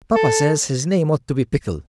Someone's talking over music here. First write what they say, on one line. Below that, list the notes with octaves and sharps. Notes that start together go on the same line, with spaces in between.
"Papa says his name ought to be Pickle."
A4